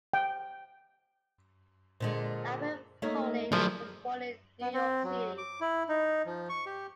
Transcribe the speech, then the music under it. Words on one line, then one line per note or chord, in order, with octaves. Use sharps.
Alfred Poling was born in New York City.
G5
A#2 D3 G#3 C5
A3 A#3 D#4 C#5 D#5 E5
A#1 F3 F#3 A3 E4 G#4
B3
C4
F#3
D6
E4
D#4
F3
C#6
G4